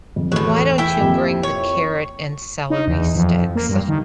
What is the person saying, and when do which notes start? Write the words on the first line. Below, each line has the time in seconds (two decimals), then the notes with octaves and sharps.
why don't you bring the carrot and celery sticks?"
0.16 F2
0.32 E2 A2 F#3 A3
0.78 E4 E5 G5
0.98 F2 A#3 G4
1.43 C#5
2.70 D#4
2.88 E2
3.15 F2
3.55 A#3
3.69 G2
3.89 D#3